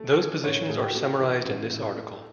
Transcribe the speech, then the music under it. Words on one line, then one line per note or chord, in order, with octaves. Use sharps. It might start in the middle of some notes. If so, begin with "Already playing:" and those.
Those positions are summarised in this article.
Already playing: A3
A4
E3 G#4
A1 C#5
A2 G#4
G4
F#4
A3 G4
E3
A1
A2
A3